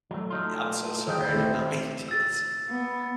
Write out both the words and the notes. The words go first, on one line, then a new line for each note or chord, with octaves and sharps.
I'm so sorry. I did not mean to do that to you.
F#3 A3
A3 D#4 F4
D#3 G#4 G5
D2 D#3 E4 G6
A3 C4 G4
E6 A6
B3